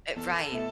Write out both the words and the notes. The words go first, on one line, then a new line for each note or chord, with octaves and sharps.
Uh, right.
E2 A4
B2 A3 E4